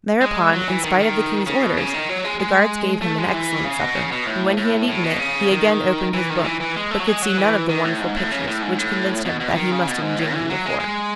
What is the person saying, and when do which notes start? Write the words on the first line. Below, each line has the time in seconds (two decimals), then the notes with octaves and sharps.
Thereupon, in spite of the King's orders, the guards gave him an excellent supper, and when he had eaten it he again opened his book, but could see none of the wonderful pictures, which convinced him that he must have been dreaming before.
0.21 G#3
0.53 F#3
0.68 E3
0.84 D#3
1.00 D#3
1.46 C#3
1.62 B2
1.77 C#3
1.94 D#3
2.09 F#3
2.24 G#3
2.40 G#3
3.02 A3
3.18 G#3
3.34 E3
3.65 C#3
3.80 B2
3.95 C#3
4.11 B2
4.26 A2
4.57 A2
4.88 A2
5.04 B2
5.19 C#3
5.51 D#3
6.14 E3
6.30 D#3
6.44 E3
6.60 E3
6.76 G#3
6.91 A3
7.00 F#3
7.07 G#3
7.22 F#3
7.37 E3
7.69 D#3
7.84 A2
8.01 G#2
8.16 A2
8.32 C#3
8.47 A2
8.62 G#2
8.78 A2
9.25 B2
9.40 B2
9.55 D#3
9.72 C#3
9.87 B2
10.02 G#2
10.19 A2
10.34 E3
10.50 F#3
10.66 G#3
10.80 G#3